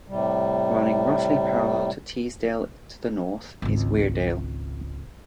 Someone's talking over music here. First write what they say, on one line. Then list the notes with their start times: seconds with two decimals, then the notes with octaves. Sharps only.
Running roughly parallel to Teesdale to the north is Weardale.
0.08 A2 C3 G3
3.62 G#1 C#2